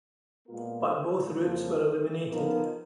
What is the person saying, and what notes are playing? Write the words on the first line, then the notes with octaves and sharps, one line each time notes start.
But both routes were eliminated.
A#2 G#3 B3 F4 A#4
F2 C#3 F3 A#3 F4
F3 B3 D#4 A#4